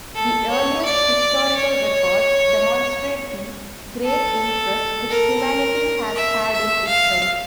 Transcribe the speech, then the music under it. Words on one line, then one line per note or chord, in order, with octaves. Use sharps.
The earliest historical records demonstrate the great interest which humanity has had in itself.
A4
C#5
D5
C#5
A4
A#4
E5
E5
F5